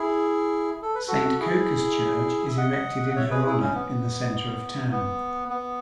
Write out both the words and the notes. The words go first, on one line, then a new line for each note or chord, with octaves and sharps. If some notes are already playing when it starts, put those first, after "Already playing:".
Saint Coca's Church is erected in her honour in the centre of town.
Already playing: E4 G#4
A4
B4
F#4 A4
E4 G#4
E5
D#5 F#5
F#5
C#5 E5
G#4 B4
E4 G#4
C#4
B3
B3
B3